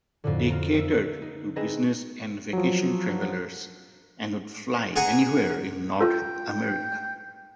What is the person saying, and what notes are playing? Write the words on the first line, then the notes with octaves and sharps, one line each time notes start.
They catered to business and vacation travellers and would fly anywhere in North America.
F2 A2 D3
F4 A#5
E5 E6
D#4
C4 G#4 B4 D#5 E5 A#5
F3 F#3
G#4 F#5 G#5 A#5
F4 A4 G5